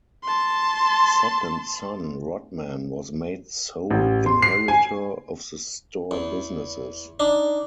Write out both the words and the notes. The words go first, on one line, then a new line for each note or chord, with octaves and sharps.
Second son Rodman was made sole inheritor of the store businesses.
A5 C6
A1
C6
C7
G#5
E2
D4 D#4